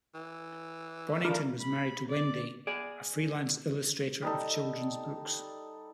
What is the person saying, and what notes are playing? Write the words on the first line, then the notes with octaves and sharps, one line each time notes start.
Bonington was married to Wendy, a freelance illustrator of children's books.
E3
A3 F4 A#4 D5 F5
B5
D5
G#4 D5
G3 D#4 A4